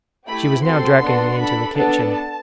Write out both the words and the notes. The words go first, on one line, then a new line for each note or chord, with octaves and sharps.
She was now dragging me into the kitchen.
A3 E4 G4 B5
C4 F#4 A4 C6
B3 D4 F#4 A4
D4 A4 B5
B3 D4 A4 A5